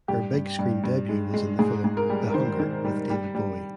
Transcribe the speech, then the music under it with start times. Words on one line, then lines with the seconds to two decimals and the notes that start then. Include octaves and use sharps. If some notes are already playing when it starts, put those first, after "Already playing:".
Her big screen debut was in the film "The Hunger" with David Bowie.
0.08 G2 G4
0.33 G2
0.59 G2
0.84 G2
1.09 G#3
1.34 G#3
1.59 G#2 G#4
1.84 G#2
1.97 A#4
2.10 G3
2.30 A#4
2.34 D#3 C5
2.60 D#3
2.85 G3
3.10 G3
3.35 G3